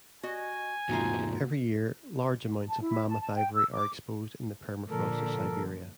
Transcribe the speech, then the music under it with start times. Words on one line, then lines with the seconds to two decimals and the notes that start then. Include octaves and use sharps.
Every year, large amounts of mammoth ivory are exposed in the permafrost of Siberia.
0.23 F#4 D#5 G#5
0.89 E2 G#2 C3 A3 A#3 D#4 F4 F#4
2.69 A5
2.81 E4
3.09 A5
3.21 A5
3.35 G5
3.55 E6
3.73 D6
4.90 A#2 D3 F3 A4 A#4